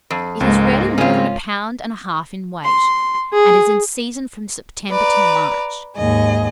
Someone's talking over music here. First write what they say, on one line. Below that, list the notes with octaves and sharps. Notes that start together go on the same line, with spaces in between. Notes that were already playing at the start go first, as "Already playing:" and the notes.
It is rarely more than a pound and a half in weight, and is in season from September till March.
F2
C#2 G#2 G#3 A#3
C#3 C4 C#4 F4
C6
G#4
B4 D5 A#5
D#2 G#2 G#4 D#5